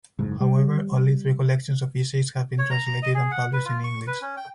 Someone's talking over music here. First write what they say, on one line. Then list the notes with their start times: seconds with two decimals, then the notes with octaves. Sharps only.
However only three collections of essays have been translated and published in English.
0.19 F#1 G#2
0.40 G3
2.59 C#5
2.71 A#5
2.86 A#5
3.02 D#5
3.15 G#4
3.31 F#5
3.53 B4
3.65 F4
3.84 C#6
4.07 B4
4.22 C#4
4.37 G5